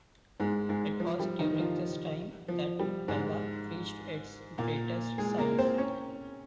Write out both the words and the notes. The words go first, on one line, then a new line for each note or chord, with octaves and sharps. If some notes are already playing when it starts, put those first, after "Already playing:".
It was during this time that Pella reached its greatest size.
G#2 G#3
G#2 G#3
F3
G3
D#3 D#4
F3 F4
F3
G3
G#2 G#3
A#2 A#3
G#3 G#4
A#3 A#4
C4 C5
C#4 C#5